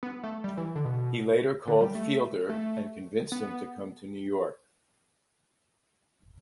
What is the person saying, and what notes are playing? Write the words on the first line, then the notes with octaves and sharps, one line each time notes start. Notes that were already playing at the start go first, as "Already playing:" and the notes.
He later called Fielder and convinced him to come to New York.
B3
A3
G3
E3
D3
B2
D3
G3
A3
A3
B3